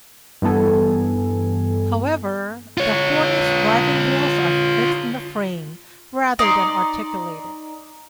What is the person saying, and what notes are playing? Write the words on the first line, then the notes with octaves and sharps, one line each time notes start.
However, the Forney's driving wheels are fixed in the frame, rather than articulated.
G2 E3 B3 A4 G#5
F4 C#5
D#4 D5 C6